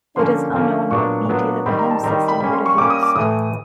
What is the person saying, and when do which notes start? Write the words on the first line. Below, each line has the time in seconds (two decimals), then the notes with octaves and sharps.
It is unknown what media the home system would have used.
0.16 D3 F3 A#3 C#4 C6
0.53 D3 F3 A#3 C#4
0.91 A#2 F#3 B3 D4 C#6
1.28 A#2 F#3 B3 D4
1.66 D#3 G3 C4 B5
1.79 A#5
1.91 A5
2.03 D#3 G3 C4 A#5
2.28 B5
2.40 G3 A#3 C#4 B5
2.53 C6
2.66 C#6
2.78 G3 A#3 C#4 D6
2.90 D#6
3.03 D6
3.15 A2 E3 A3 D#6